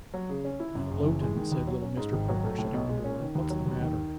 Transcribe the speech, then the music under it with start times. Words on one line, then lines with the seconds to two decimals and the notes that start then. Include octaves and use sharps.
'Now, Lowten,' said little Mr. Perker, shutting the door,'what's the matter?
0.14 F#3
0.29 C#3
0.45 C#4
0.60 E4
0.75 F#2
0.91 F#1
1.06 E3
1.21 G#3
1.36 D#3
1.52 D#2
1.67 F#3
1.82 C#4
1.97 G#2
2.13 G#1
2.28 F#3
2.44 A3
2.59 A2
2.74 B1
2.89 G#3
3.04 C#4
3.20 D#3
3.35 D#2
3.50 F#3
3.66 D#2
3.81 D#3